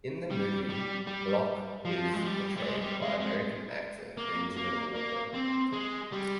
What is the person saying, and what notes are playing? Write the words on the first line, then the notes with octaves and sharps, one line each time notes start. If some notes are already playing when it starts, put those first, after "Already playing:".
In the movie, Block is portrayed by American actor Benjamin Walker.
G3
G3
G3
F3
G#3
G3
G3
G#3
G3
G#3
G#3
A#3
A#3
A#3
C4
G#3
G3